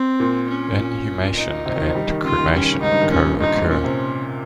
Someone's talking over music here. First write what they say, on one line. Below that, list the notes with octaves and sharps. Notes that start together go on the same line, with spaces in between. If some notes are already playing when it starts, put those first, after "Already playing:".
Inhumation and cremation co-occur.
Already playing: C4
A#2
C#4
A#2
D#4
C3
D#3
F3
G3
D#3
C#3 F4
D#3
G3 C#4
D#3
C#3
G#2 D#4
G2
D#3
A#2 C#4
G2
G2 D#4
G#2
A#2 C#4
C3